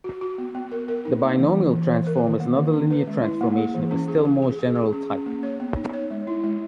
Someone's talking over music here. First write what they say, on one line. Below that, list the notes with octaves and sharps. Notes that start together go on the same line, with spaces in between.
The binomial transform is another linear transformation of a still more general type.
F#4
F#4
B3
B3
A#4
A#4
D#4
A#3
E3
E3
E3
E3
A#4
D#3
A#3
D#3
C#4
B4
G#3
E4
A#3
G#4
E3
C#4
G#4
G#4
G#4
G#4
G#4
C#4
C#4
A#3
C#5
B3
D#4
C#5
G#3
E4
G#3